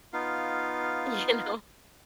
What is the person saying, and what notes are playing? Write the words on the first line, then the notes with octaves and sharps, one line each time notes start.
you know.
B3 D#4 F4 F5